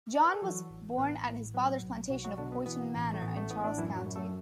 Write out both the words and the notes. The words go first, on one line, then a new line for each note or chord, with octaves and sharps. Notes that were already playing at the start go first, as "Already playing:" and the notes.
John was born at his father's plantation of "Poynton Manor" in Charles County.
D5
B4
A4
E3 F#3 F#4
A1
A1 B3 B4
A2
F#3 B3 B4
B1
B1 F#3 F#4
F#3 F#4
B2 D3 D4
B3
E3 B3
A1
A3
A1 B3
A3
A2 B3
D4
F#2 E3 E4
F#3 F#4
F#2
A3 A4